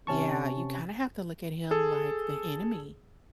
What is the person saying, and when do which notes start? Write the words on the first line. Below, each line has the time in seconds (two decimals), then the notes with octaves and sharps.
Yeah, you kinda have to look at him like the enemy,
0.07 C3 C#4 A5 C#6
1.71 G#4 A4